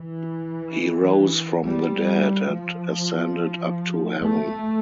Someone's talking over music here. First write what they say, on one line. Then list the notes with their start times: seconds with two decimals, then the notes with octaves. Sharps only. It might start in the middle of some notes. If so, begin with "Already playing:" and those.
He rose from the dead and ascended up to heaven.
Already playing: E3
1.65 G3
2.51 F3
4.22 A3